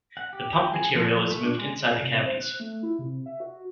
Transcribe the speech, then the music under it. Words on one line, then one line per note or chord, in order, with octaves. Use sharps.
The pumped material is moved inside the cavities.
F#5
G4
G5
G#4
F3
F3
A3
D4
G#3
C3
C5
F#6
A3
E4
C3
E5
F#4